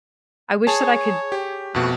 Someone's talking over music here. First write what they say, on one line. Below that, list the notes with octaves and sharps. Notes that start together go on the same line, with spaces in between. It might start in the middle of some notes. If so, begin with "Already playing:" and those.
I wish that I could
G#4 C#5 A5
G4
F2 B2 A3 F#4 F#6